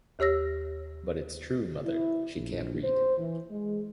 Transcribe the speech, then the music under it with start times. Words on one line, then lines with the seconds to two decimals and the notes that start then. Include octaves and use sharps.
But it’s true, mother — she can’t read.
0.19 D#2 G4 C#5 E6 A#6
1.84 E4
2.37 A#1
2.84 C5
3.18 E3
3.50 G#3